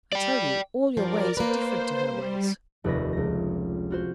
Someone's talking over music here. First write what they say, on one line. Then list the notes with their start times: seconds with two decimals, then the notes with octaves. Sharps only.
I tell you, all your ways are different to her ways.'
0.13 D5 G5
0.97 G2 F3 G3 A#4 D5
1.37 A#3 B4 C5
2.07 G3
2.84 F1 D#2 B4 D5 C#6 A#6
3.13 C#2 A#6
3.90 F4 F#4 C5